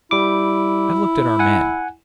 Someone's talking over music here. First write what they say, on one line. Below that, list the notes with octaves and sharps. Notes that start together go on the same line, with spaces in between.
I looked at our men.
G3 E4 D6
F#5 G#5